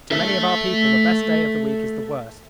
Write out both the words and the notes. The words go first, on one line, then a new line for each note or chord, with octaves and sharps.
To many of our people the best day of the week is the worst.
A4 E5